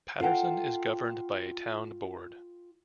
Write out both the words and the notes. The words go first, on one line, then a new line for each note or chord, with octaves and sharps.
Patterson is governed by a town board.
F4 A4 F#5 G5